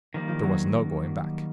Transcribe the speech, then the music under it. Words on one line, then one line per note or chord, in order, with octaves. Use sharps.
There was no going back.
D#3 F3 G3 A#3 F4
F3 F4
F#3 F#4